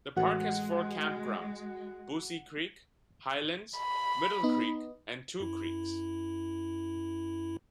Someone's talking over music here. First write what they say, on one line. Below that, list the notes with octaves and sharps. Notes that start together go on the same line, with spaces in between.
The park has four campgrounds: Boosey Creek, Highlands, Middle Creek and Two Creeks.
A1 G#3 F#4 F#5 F#6
B5
B3 D#4
F#2 E4